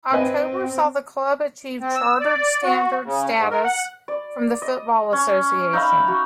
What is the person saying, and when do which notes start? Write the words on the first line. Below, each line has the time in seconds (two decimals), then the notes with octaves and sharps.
October saw the club achieve Chartered Standard status from the Football Association.
0.13 C4 B4 D#5 G#5
1.81 C4
1.95 E6
2.21 D5
2.63 F#4
3.05 C#3
3.36 G#2
3.51 A#4
3.64 F#5
4.08 D5
4.62 D#5
5.13 C#4
5.73 D#4 E5 F5 B5
6.08 F#4